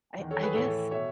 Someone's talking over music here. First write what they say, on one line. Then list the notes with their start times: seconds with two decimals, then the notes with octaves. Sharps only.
I I guess,
0.18 E2 D#3
0.31 A4 C#5
0.43 G#4 B4
0.55 A2 E3 A4 C#5
0.91 B2 C#5 E5